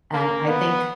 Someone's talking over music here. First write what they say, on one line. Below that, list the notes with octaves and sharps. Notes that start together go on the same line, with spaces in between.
and I think
A#3
B3